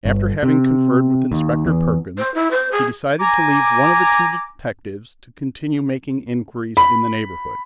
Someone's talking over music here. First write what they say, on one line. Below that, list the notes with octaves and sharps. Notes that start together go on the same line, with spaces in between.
After having conferred with Inspector Perkins, he decided to leave one of the two detectives to continue making inquiries in the neighbourhood.
G1
C3
D#2
E2
C5
E4
C5
G#4
G#5 A#5 D6
B5